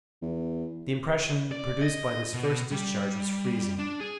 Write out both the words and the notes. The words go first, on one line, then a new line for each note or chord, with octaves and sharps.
The impression produced by this first discharge was freezing.
E2
D5
D#5
B2
G3
D4
G#4